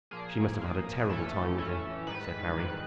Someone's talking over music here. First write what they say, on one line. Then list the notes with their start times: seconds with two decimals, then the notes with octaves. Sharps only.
"She must have had a terrible time with him," said Harry.
0.11 A#2 F3 A#3 G#4
0.60 A#2 F3 A#3
1.09 A2 E3 A3 C#4 A4
1.58 A2 E3 A3 C#4
2.07 G#2 D#3 G3 B4
2.57 G#2 D#3 G3